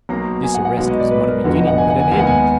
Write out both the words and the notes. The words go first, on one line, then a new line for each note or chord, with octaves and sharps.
This arrest was not a beginning, but an end.
B1 B2 A#3 A#5
G#5
F#5
F#5
B1 B2 G#3 B3 F5
D#5
D5
B4
A#4
F1 F2 D3 F3 B3 F#4
D#5
F#5
G#5
F#5
G#5
D#2 D#3 G#3 B3 G#5
F#5
G#5